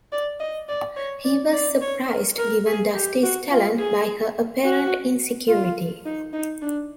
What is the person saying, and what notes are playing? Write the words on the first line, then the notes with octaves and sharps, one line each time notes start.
He was surprised, given Dusty's talent, by her apparent insecurity.
D5
D#5
D5
C#5
D5
D5
C#5
A#4
A#4
G#4
G4
F#4
F4
G#4
F#4
F4
D#4
D#4
D4